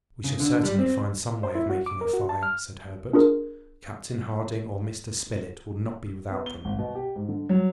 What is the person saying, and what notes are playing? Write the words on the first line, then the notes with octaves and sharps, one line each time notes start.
"We shall certainly find some way of making a fire," said Herbert. "Captain Harding or Mr. Spilett will not be without them."
C#3
D3
G3
C4
C5
E4
F#4
D6
A#4
F#4
A5
F6
D4 F4 G#4 A#4
B3
G7
G#1
B2
G4
G#2
D3
F#3